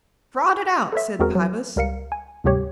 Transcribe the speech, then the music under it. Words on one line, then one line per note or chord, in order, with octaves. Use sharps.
"Trot it out," said Pybus.
A4 B4 C#5 E5
E2 G#3 C4 F#4 G#4 A#4
F#3
C#2 G3 A#4 F5 C#7
G#5
D2 G#2 C3 G3 G4 C#5